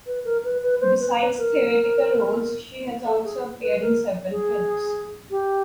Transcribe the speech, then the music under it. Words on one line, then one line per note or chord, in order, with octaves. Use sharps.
Besides theatrical roles she has also appeared in several films.
B4
A#4
B4
B4
C5
B4
B4
A#4
A4
G#4
B4
A#4
G#4
G4